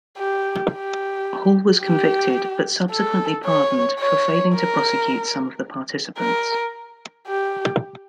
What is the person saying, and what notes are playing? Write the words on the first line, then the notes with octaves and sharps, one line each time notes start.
Hall was convicted, but subsequently pardoned, for failing to prosecute some of the participants.
G4
G4
G4
A4
C#5
C#5
A#4
A#4
G4